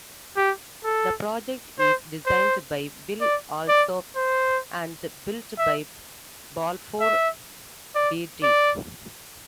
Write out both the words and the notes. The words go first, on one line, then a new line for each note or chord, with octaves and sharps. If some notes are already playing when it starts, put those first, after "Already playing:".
The project is designed by Will Alsop and built by Balfour Beatty.
G4
A4
C5
C5
D5
D5
C5
E5
E5
D5
D5